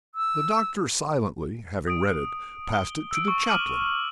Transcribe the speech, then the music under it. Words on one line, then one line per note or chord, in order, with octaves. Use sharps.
The doctor silently, having read it, passed it to the chaplain.
E6
D#6 D7
G7
E6 D7
C#6
D6 F6 D7 D#7 F#7